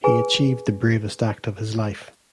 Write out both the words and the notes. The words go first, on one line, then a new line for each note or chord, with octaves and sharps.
He achieved the bravest act of his life.
G#4 B4 G#5